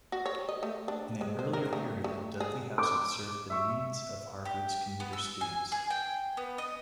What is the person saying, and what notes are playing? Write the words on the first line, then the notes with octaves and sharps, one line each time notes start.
In an earlier period, Dudley House had served the needs of Harvard's commuter students.
F#4
C#5
D#5
A3
D4
G#3
C5
A#4
A3
A3
G#4
D6
E5 C#6
G4
B3
E6
G#5
G#4
G5
B3
D#5